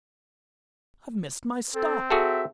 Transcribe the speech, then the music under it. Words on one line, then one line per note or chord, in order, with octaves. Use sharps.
I've missed my stop.
C4 A4
F#4 G#4 A4 E5